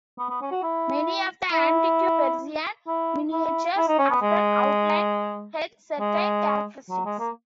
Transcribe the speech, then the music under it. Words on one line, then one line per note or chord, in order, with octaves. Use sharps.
Many of the antique Persian miniatures often outlined her certain characteristics.
B3
B3
C#4
F#4
E4
E4
E4
E4
E4
D#4
C#4
B3
G#3
G#3
F#3
G#3
A#3